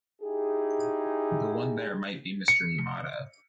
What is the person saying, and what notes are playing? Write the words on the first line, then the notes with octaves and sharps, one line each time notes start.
The one there might be Mr. Yamada.
D#4 E4 G4 G#4
C#7